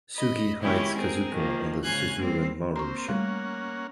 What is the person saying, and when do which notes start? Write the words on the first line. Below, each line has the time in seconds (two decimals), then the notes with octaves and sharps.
Sugi hides Kazuko on the Suzuran Maru ship.
0.16 D#5 B5
0.60 B2 D#3 G#3 C#4 E4 G4
0.96 C4 G#4 A#4
1.31 D#3 F3 A#3
1.84 G#2 C#3 F5 G#5 F#6 G#6
2.16 G3 A#3 C4
2.76 A#3 C4 C5 A#5 C#6
3.08 G3 A3 A#3 C#4 F#5